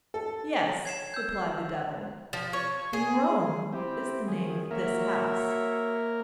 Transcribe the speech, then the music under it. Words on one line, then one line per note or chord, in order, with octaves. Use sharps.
"Yes," replied the devil, "and Rome is the name of this house."
A4
C#5
G#6 C7 E7
E6 G6
F3
C#5
G#4
C4 E4 G4
F#2 D#3 G#4
A#3 F#4 A#4 C#5 E5